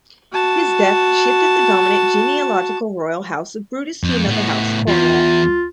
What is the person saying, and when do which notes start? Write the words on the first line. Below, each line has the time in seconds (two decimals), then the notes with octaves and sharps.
His death shifted the dominant genealogical royal house of Brutus to another house, Cornwall.
0.32 F#4 A5
4.04 F2
4.27 A2 B3
4.87 E2 F4